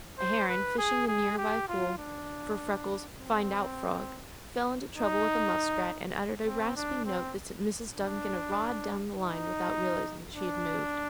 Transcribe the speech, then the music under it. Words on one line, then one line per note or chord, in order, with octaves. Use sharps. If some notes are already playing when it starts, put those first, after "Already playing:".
A heron, fishing the near-by pool for Freckles' "find-out" frog, fell into trouble with a muskrat and uttered a rasping note that sent Mrs. Duncan a rod down the line without realizing that she had moved.
C5
B4
G#4
G#4
G4
F4
D4
C4
D#4
C4
D4
C4
D4
D#4
D4